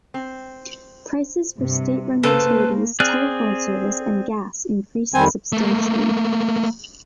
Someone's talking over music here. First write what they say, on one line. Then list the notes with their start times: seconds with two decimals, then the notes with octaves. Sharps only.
Prices for state-run utilities, telephone service, and gas increased substantially.
0.14 C4
1.60 G2 C3
2.23 C#3 A#3 A4 B4 C5 F5
3.00 C4 G#4 D5 F6 F#6
5.14 F2 D#3 G3 C4 G#5
5.52 A3 A#3